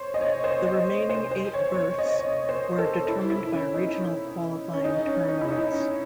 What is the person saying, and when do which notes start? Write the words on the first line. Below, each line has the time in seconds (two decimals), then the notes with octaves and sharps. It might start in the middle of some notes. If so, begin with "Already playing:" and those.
The remaining eight berths were determined by regional qualifying tournaments.
Already playing: C5 C#5
0.14 D#5
0.21 C#5
0.44 C5
0.65 D#5
1.10 C5
1.31 C5
1.54 C#5
1.75 C#5
1.98 D#5
2.19 C#5
2.49 C5
2.78 A4
3.08 E4
3.30 E4
3.53 C#4
3.74 D#4
4.73 C#4
4.84 D#4
5.06 C#4
5.28 D#4
5.41 E4
5.51 D#4
5.72 C#4